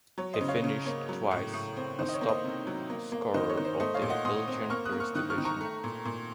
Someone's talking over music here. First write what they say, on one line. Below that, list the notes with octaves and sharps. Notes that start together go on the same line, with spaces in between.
He finished twice as top scorer of the Belgian First Division.
F#3 C#5
C5 D#5
C#3
C#5 F5
C#3
A#3 C#5
F#3
A2
A2
C4
D#3 C5
D#5
C#5
A#3
C5 D#5
C3
F#3
A#3
A#3
D#3 C5 D#5
C#5
D#3
C5
A3 C5 D#5
C#5 F5
A#2
D#5 F#5
A#2 C6 D#6
C4
A#3 C#6 F6
D#6 F#6
A#3
C#6 F6
D#3 D#6 F#6
C#6 F6
D#3
A#5 C#6
A3
A#2
A#2